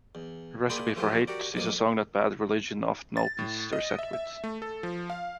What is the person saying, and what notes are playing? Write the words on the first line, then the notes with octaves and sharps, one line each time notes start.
"Recipe for Hate" is a song that Bad Religion often opens their set with.
E2
A#3 G#4 D5 G5 B5 C6
E3 F3 A3 E4 F4 G4
F#4 G4 A#4 D5
B1 F2 A#3 D6 D#6
A6
A2
D#5
E5
E5
A3
A4
F3
F5